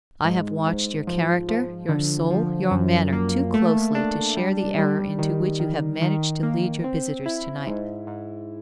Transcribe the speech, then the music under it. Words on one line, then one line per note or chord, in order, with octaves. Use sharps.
I have watched your character, your soul, your manner, too closely to share the error into which you have managed to lead your visitors to-night.
G#2
G#2
F3
F3
D3
F3
F#2
A#3
A3
D4
G3
G3
D#3
D#3
D#3
A#3
C4
E4
G#2
G#2